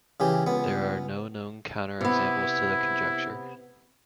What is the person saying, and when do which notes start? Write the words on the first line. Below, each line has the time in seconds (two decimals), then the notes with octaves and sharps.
There are no known counterexamples to the conjecture.
0.20 C#3 E3 G4
0.46 C#2 B3
2.01 C3 B3 E4